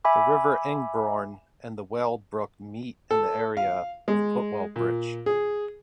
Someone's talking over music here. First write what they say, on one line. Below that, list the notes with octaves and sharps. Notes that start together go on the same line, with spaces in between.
The River Ingrebourne and the Weald Brook meet in the area of Putwell Bridge.
E5 G#5 B5 D6
A4
F5
G#3
A#2
G#4